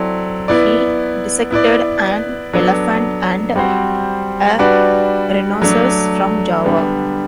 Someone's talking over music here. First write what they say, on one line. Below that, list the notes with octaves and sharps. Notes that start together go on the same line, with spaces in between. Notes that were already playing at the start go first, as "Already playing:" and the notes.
He dissected an elephant, and a rhinoceros from Java.
Already playing: F#3 C4 E4 A4 D5
B3 E4 B4 D5
B3 E4 B4 D5
F#3 B3 D4 A4
G3 C4 F#4 C5
G3 D4 F#4 B4 D5
F#3 A3 D4
D3 G3 B3